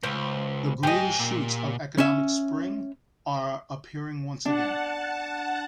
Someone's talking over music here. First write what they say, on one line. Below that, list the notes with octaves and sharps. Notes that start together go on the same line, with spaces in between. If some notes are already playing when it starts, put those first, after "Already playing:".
The Green shoots of economic spring are appearing once again.
C#2 C5
G#2 G4 D#5 G#5
A#2
C#4 E5
D4 F#5 A5